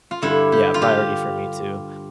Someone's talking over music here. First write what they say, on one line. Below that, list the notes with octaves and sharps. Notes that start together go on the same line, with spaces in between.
Yeah. Priority for me too,
F4
G2 D3 E4
G4
F4
G4